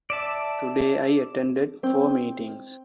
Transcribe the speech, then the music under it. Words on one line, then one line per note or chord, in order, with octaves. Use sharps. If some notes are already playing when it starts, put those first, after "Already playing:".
Today I attended four meetings.
D5 E5 A5
C4